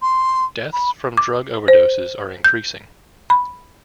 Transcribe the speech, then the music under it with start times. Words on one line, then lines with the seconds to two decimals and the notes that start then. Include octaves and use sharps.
Deaths from drug overdoses are increasing.
0.02 C6
0.73 B5
1.17 D6
1.68 C5
2.44 G6
3.30 B5